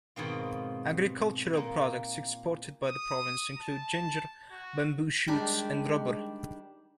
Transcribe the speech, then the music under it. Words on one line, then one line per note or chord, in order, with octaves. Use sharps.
Agricultural products exported by the province include ginger, bamboo shoots, and rubber.
G#2 B2 D#3 C4 F4
A#2 A#3
D#6
A5
F#4
D#3 G3 G#3 D4